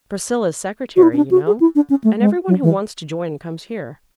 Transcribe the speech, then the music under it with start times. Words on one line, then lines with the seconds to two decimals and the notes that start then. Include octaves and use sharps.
Priscilla's secretary, you know, and every one who wants to join comes here.
0.96 F#4
1.03 E4
1.13 C#4
1.17 D4
1.31 F#4
1.47 G#4
1.60 E4
1.75 D4
1.90 C#4
2.04 A3
2.20 G#3
2.48 F#3
2.63 E3